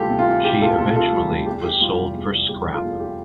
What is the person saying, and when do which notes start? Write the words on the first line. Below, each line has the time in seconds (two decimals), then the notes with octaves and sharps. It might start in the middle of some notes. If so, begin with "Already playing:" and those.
She eventually was sold for scrap.
Already playing: D2 C3 E3 G3 F4 G4 A4
0.10 C3
0.19 F4
0.27 E3
0.44 G3 G4
0.61 D2 F4 A4
0.78 C3 F4 A4
0.96 E3 F4 A4
1.13 G3
1.29 D2
1.46 E2 G4
1.63 E3 G4
1.81 G3 F4
1.98 F1
2.15 E2
2.31 E3
2.49 G3 G4
2.65 F1
2.74 F4 A4
2.84 E2
3.00 E3 G4